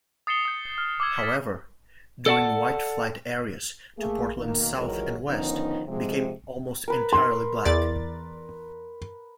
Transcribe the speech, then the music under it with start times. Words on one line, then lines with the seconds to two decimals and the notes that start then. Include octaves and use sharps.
However, during White Flight areas to Portland's south and west became almost entirely Black.
0.27 D#6 A6 C7 C#7 E7 G7
0.45 D#6 G6
0.78 F6
1.00 D6 E6 G#6
1.19 A6 B6
2.26 A4 D5 F#5 A5
3.98 A3 A#3 G#4
4.37 B2 D#3 A#3
4.76 D#2 A#2 E3 F#3 G#3 A#4
5.28 D3 D#3 F3 B3 C#4 D#4
5.87 C3 F3 G#3
6.88 A#4 B4
7.13 C6
7.65 E2 D5 A6